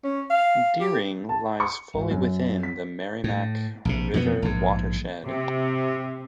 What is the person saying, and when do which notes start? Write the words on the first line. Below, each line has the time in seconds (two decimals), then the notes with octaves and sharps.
Deering lies fully within the Merrimack River watershed.
0.04 C#4
0.30 F5
0.80 G4
1.29 A5
1.60 C#6
1.94 G#1
2.11 F#2
2.63 B6
3.24 A2
3.85 A#1 C3
4.14 F2 B2 F#3 B3
4.42 A#1 G#2
5.26 C3